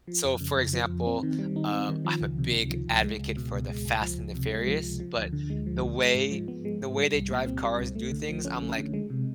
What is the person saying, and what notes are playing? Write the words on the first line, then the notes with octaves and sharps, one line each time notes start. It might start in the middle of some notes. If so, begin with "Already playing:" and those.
So, for example, um, I'm a big advocate for The Fast and the Furious, but the way the way they drive cars and do things, I'm like,
F3
F2
C#3
F2
F3
F2
C4
D#3
G3
D#4
C4
D#3
F3
C#2
C3
C#2
F3
C#2
G#3
C#2
B2
C#2
G#3
C#2
F3
C#2
C3
G#3
F3
C#2
F3
D2
D3
G#3
F3
D2
G#3
G#2
F3
B3
G#3
G#2
G3
C2
A#2
C4
G3
C2
A3
D3
F3
C#4
A3
D3
G#3
C3